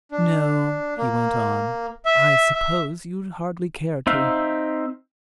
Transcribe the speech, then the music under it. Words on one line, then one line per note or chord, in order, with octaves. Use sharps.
"No," he went on, "I suppose you'd hardly care to."
D4
A#3
E5
E5
C4 D#4 E5 F5